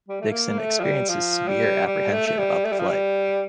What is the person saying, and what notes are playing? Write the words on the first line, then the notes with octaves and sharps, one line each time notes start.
Dixon experiences severe apprehension about the flight.
G3
A3
A#3
A3
F3
G3
F3
G3
G3
A3
A3
G3
A3
G3
F3
G3